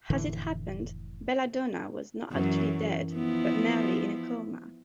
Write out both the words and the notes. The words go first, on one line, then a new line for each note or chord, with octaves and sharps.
As it happened, Bella Donna was not actually dead, but merely in a coma.
F1 A2 D3 E3
F#2 E3 F#3
F3 B3 E4